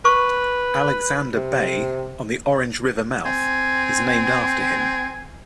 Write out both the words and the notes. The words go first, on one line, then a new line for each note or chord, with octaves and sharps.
Alexander Bay on the Orange River mouth, is named after him.
B4 C#6
C3
C4 G#5